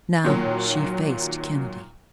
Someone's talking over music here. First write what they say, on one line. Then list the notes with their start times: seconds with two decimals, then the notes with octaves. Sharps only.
Now she faced Kennedy.
0.24 A#2 D#3 F#3